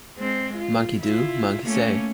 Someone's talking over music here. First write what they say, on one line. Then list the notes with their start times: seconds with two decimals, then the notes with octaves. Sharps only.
Monkey do, monkey say.
0.18 G#3 C4
0.56 F4
1.00 E4 F4
1.66 A3 A#3 C#4